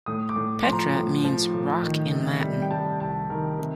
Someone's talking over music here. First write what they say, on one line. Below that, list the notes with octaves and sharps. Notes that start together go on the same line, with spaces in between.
"Petra" means "rock" in Latin.
A2 D#6
D6
A2
F3 C6
A#5
A2
F3
A2
D#3
C3
G3
G5
G3 A5
C2 A5
D#3 A#4
C3